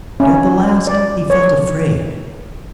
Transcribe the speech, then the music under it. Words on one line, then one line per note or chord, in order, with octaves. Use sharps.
But at the last he felt afraid.
C#4
D5
C#5